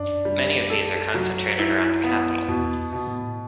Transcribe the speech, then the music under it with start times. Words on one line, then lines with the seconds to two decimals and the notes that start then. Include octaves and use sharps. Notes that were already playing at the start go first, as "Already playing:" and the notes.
Many of these are concentrated around the capital.
Already playing: F#2 D4
0.25 G3
0.70 A4
1.14 F#3
1.59 E4
2.04 B3
2.48 E2 B2
2.93 B2
3.07 A2